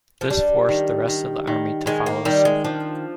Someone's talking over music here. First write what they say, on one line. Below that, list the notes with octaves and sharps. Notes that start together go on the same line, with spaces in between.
This forced the rest of the army to follow suit.
F3
G3 D4
D#3
D#3
D#3
D#3 G#3
A#3
D#3 G3
G#3
F3 D4